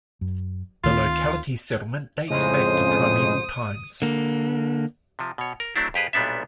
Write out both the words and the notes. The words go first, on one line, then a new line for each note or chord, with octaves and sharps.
The locality settlement dates back to primeval times.
F#2
D2 D#3 C4 F4
F2 A2 C#3 G#3 C5 D#6
D3 A#3
C3 F3
B2 C#5
A#4
F#3 A3 C4 D4 E4
F2 G4 G#4 B4
B1 A#2 G3 B3 D4 E5